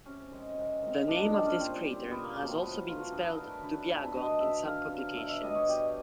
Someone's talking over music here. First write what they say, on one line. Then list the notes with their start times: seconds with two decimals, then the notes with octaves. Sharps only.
The name of this crater has also been spelled "Dubiago" in some publications.
0.06 C3 C#4
0.31 D#3 G#3
0.57 C3
0.82 D#3 G#3
1.08 A#2 D4
1.21 D#4
1.33 G3 D4
1.46 C#4
1.59 A#2 C4
1.84 G3
2.11 A#2 B3
2.23 A#3
2.36 F#3 A3 A#3
2.48 C4
2.61 A#2 B3
2.87 F#3 A3 F4
3.00 F#4
3.12 D3 G#4
3.26 A4
3.37 F#3 A3 A#4
3.51 B4
3.63 D3 B4
3.89 F#3 A3 A4
4.15 D3 D#5
4.40 F#3 A3 E5
4.65 D3 F5
4.92 F#3 A3
5.17 B2 E5
5.29 E5
5.43 G3 D#5
5.55 C#5
5.69 B2 G4